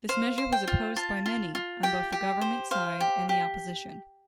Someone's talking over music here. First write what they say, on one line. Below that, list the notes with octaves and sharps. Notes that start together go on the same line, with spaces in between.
This measure was opposed by many on both the government side and the opposition.
C5 F5
C5
G5
F4
F4 A5
F4
F4
G4 G5
G4
C5
C5 F5
G4
G4